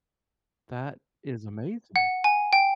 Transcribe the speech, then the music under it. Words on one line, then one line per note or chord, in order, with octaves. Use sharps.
That is amazing.
F#5
G#5
G5